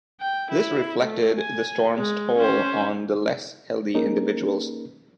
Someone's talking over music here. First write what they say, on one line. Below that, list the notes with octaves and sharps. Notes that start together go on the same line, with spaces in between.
This reflected the storm's toll on the less healthy individuals.
G5
E4
A3
G#5
G#3
C#4 C5
A#3 C#4 D#4 G#4 A#4